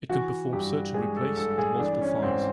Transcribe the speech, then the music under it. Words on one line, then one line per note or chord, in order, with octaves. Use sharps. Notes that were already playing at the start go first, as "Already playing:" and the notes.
It can perform search and replace on multiple files.
E3 F#4
G2 G4
G#3 G#4
A4
G2 A4
G#4
E3 D4
C#4
G#2 C4